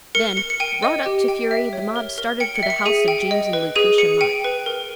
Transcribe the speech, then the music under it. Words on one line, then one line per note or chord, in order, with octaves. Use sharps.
Then, wrought up to fury, the mob started for the house of James and Lucretia Mott.
A#4 C#7
A#4 C#7
C#7
G5 D#7
D#5
G4
G5
E5
C#5
A#4
A#4
G5 C#7
C#7
E5
C#7
G#4 D#7
G5
D#5
B4
G#4 D#7
G#4 C#7
G5 D#7
B4
A#4